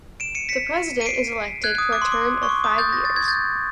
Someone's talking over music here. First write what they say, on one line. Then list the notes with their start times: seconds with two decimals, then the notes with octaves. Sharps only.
The President is elected for a term of five years.
0.20 D7 E7
0.35 C#7 D#7
0.49 B6 C#7
1.01 D#7
1.06 C7 D7
1.64 F#6 G#6
1.78 D#6
1.93 D6
2.02 C6
2.12 D6
2.43 C#6
2.49 D6
2.64 D#6
2.78 G6 A6
2.93 A#6
3.05 A6
3.16 G#6
3.28 G6 A6